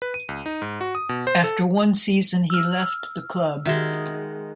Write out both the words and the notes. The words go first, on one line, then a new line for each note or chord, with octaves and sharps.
After one season he left the club.
B4
D#7
C#2
D#4
G#2
F#4
D#6
B2
C5
A4
E6 F6
D#3 G#3 D#4 F#4 E5